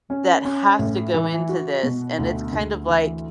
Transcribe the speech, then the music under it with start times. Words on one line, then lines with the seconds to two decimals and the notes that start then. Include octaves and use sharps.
that has to go into this, and it's kind of, like,
0.10 C#4
0.45 C#4
0.79 A2
1.14 E3
1.49 F#4
1.83 B2
2.19 D2
2.53 D2
2.88 E3